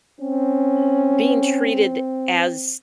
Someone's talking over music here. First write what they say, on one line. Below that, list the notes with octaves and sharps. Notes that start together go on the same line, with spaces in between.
eh, being treated as
C4 C#4